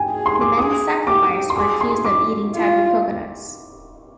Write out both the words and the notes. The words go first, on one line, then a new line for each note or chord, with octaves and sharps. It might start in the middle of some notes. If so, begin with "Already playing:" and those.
The men sacrificed were accused of eating tabu coconuts.
Already playing: G5 G#5
G#4
C6
D6
G#4 D#6
G4 D6
C6
G#4 D6
C6
D6
F4